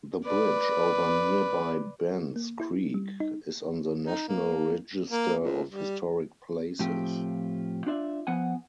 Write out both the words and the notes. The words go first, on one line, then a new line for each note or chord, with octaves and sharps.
The bridge over nearby Bens Creek is on the National Register of Historic Places.
B4 D5
A#3
E4
G3
D#4
D#4
A#3
A#3
C#2
G3
A2 F3 C4 F4 G4
D4 F4 D5 E5
F3 B3 F#5 G#5